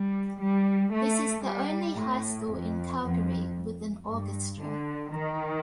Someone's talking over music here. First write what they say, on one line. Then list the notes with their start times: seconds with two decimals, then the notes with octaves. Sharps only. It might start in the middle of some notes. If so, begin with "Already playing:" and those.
This is the only high school in Calgary with an Orchestra.
Already playing: G3
0.41 G3
0.93 A3
1.45 G3
1.98 A2
2.50 F2
3.03 F2
4.07 G2
4.60 D3
5.11 D#3